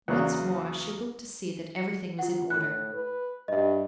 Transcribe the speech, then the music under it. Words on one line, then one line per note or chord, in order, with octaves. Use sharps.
Once more she looked to see that everything was in order.
E2 C#3 F#3 A#3 D5 F#6
C#7
F4 F#5
A2 F#6
B4
G2 D#5 E5